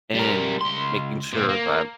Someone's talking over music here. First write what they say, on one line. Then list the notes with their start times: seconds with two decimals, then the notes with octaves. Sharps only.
and making sure that
0.15 G3 A#4
0.61 C#2 C6
1.33 A#2 C4
1.49 A#3